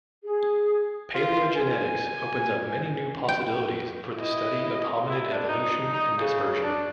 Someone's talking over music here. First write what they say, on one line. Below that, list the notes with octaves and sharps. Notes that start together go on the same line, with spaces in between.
Paleogenetics opens up many new possibilities for the study of hominid evolution and dispersion.
G#4
F4
G#5
G5
E4 D#5
E4
D4
D#4
D#4
C#3
D4